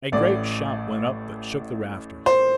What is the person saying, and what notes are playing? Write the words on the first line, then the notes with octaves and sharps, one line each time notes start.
A great shout went up that shook the rafters.
A1 A2 D5
C5